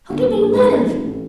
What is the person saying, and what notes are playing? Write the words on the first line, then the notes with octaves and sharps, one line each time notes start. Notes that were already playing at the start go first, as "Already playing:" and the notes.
How do they live?
G1
D#1
A#1
G#2
A1
F1
A1